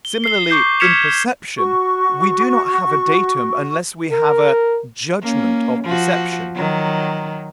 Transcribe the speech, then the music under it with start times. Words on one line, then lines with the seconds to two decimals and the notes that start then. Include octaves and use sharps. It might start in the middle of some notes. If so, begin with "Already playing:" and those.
Similarly, in perception, we do not have a datum unless we have a JUDGMENT of perception.
0.05 G7
0.24 C7 G7
0.50 C#6 D6 G6 C7
0.80 F6 G#6 B6 C#7 E7 F7
1.56 F#4 C#6
4.12 A#4
5.22 A#3 C#4
5.84 F3 F#4
6.55 D#3 F#3